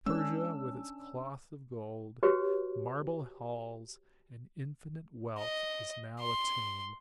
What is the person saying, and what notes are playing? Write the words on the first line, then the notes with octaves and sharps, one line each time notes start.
Persia, with its cloth of gold, marble halls, and infinite wealth, is now a tomb.
G#3 C#4 D4 E6
F#4 G4 B4 C#5
D#5
C6